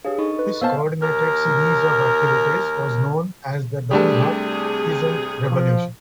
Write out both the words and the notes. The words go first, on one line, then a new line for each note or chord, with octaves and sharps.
This coordinated series of activities was known as the Donghak Peasant Revolution.
D4 G4 G#4 B4 C#5 F5
D#4 A4 D#5 C#6
B4
B3 C5 F5 A5 E6 F6
D#2 A#4
C3 G3 A3 D4 G4 G#4
F3